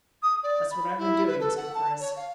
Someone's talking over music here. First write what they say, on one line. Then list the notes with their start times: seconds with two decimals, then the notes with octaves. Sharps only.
"That's what I've been doing," said Chris.
0.22 D#6
0.43 D5
0.71 B5
0.98 E4
1.27 B4
1.40 A4
1.56 F#5
1.74 A5
2.00 C#5
2.16 F5